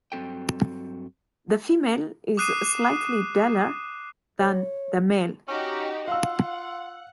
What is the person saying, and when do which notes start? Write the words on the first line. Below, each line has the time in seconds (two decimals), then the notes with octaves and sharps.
The female is slightly duller than the male.
0.12 G2 F#3 C4 A4 G5
2.37 D6 D#6 F#6 C7 D#7 E7
4.39 C#5
5.48 C#4 D#4 F#4 G4
6.08 F4 F5 F#5 E6